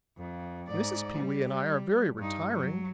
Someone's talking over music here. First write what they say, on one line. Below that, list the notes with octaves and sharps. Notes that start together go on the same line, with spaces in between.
Mrs. Pewee and I are very retiring.
F2
G#2 D5
G3
G2 D#4
F#3